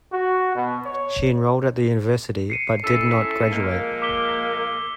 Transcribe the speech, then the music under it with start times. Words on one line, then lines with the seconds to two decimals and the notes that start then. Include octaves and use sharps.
She enrolled at the university but did not graduate.
0.12 F#4
0.55 B2
0.86 C#5
2.50 C7 C#7 D#7
2.84 C#4 E4 A4 E6 B6
3.52 F3 G#3 A#3
4.02 D6 B6 G7